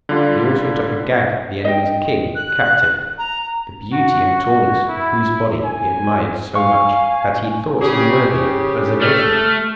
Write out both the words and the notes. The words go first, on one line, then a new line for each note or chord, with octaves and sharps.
He also took Agag, the enemies' king, captive,--the beauty and tallness of whose body he admired so much, that he thought him worthy of preservation.
D3 G3 F4
D#5 G5
F#6
A#5
F#4
F#4
E4
G#5
F5 G#5 C#6
C#3 C#4 G4 G#4
A3 F6